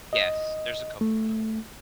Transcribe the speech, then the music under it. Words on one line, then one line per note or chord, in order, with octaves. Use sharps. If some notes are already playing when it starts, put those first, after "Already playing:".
Yes. There's a couple of
D#5
A3